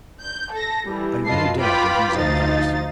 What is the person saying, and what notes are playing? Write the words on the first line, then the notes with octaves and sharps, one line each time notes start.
'I have no doubt that he's in the house.'
G6
A4 A#6
E3 G3
F#2 F4 B4 D#5 A5 C7
F4 B4 G5 B5 D6
D2 F3 D#4 D#5 F5 A6